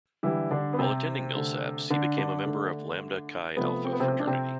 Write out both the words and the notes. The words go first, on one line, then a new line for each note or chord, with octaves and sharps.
While attending Millsaps, he became a member of Lambda Chi Alpha Fraternity.
D3 E3 G3 E4
D3 D4
B3
C3 C4
D3 A3
D3 D4
D3 D4
D3 A3
C3 F3 A3 B3
C4
B3
C3 C4
C4
D4
C3 C4